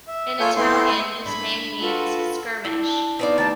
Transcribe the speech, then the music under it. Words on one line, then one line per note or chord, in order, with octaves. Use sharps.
In Italian his name means "skirmish".
E5
A#3 F4 A4 C#5 G#5 G6
A3 B3 E4 C6
G#3 D4 B5
F4 F#4 A4 B4
D4 E4
B3 C4 D#4 F4 B4 D5
D#3 A3 G4 A5